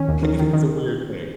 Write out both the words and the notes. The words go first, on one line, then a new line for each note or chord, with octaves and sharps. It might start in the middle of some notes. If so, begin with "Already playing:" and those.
it's a weird thing.
Already playing: D#3 C#4
D#2
D#3
D#3
D#3